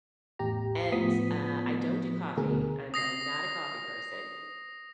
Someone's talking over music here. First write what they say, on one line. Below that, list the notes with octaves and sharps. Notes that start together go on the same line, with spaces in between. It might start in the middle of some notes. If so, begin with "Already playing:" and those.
and, uh, I don't do coffee, I'm I'm not a coffee person,
A1 E2 G4 A#5
A2 F3 B3 D#6 B6
D2 B2 G#4 A#4
D#6 A#6 C7